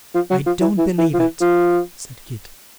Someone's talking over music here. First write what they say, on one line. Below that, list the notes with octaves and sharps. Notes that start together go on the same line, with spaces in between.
'I don't believe it,' said Kit.
F3
F#3
F3
E3
E3
E3
F3
E3
F3